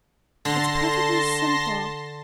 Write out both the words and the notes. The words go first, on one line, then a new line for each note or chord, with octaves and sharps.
It's perfectly simple.
D3 A5 C6 A#6